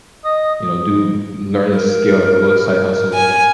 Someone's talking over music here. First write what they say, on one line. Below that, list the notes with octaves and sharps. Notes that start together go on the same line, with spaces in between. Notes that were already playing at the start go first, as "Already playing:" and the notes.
You know, do learn a skill, like a little side hustle,
D#5
A#4
G#5